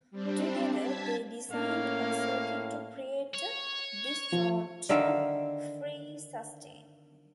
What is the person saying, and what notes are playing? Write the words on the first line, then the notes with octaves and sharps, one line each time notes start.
Together they designed a circuit to create a distortion-free sustain.
G3 C4 D4
A5 G#6 B6
A2 A#3 C#4 F5
C#5
F3
D3 D#3 E5 F5